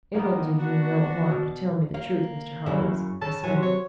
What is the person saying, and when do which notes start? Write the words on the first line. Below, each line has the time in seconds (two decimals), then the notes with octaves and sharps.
"It'll do you no harm to tell me the truth, Mr. Hollins," I said.
0.14 G#2 D#3 A#3 B3 D#4
0.60 D4 F#4
1.32 B2
1.94 A#3 F5
2.66 F#2 C#3 E4
3.22 C#3 A5
3.44 C3 F#3 G#5
3.63 C#5